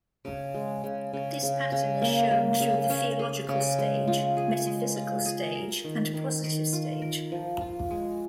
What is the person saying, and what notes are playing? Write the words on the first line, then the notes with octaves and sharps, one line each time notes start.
This pattern is shown through the theological stage, metaphysical stage, and positive stage.
C#3
G#3
C#3
C#3
C#3
C#3
A#3
A#3
C#3
C#4
G#4
C#3
G#3
F4
G#4
G#3
F4
G#4
A#4
D#3
D#3
D#3
F4
A#4
F3
F4
G#3